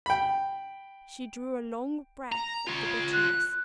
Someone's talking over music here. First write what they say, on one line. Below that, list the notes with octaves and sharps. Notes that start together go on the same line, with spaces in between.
She drew a long breath of the bitterness.
G5 B5
A#5
F4 C#5
F#6